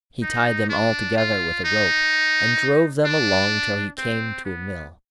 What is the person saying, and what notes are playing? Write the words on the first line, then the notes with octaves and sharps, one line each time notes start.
He tied them all together with a rope, and drove them along till he came to a mill.
D#4
D4
F4
D#4
D4
C4
B3